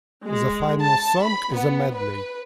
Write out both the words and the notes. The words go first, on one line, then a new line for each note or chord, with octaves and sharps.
The final song is a medley.
G#3
A5
B5
B3
B4